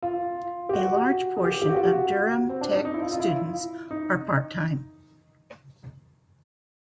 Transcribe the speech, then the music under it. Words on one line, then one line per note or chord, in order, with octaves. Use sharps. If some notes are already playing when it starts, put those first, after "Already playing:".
A large portion of Durham Tech students are part-time.
F4
G4
F#4
G#4
G4
G4
F#4
F4
F#4
C4
D4
D#4
D#4
E4
F4
F4
E4
D#4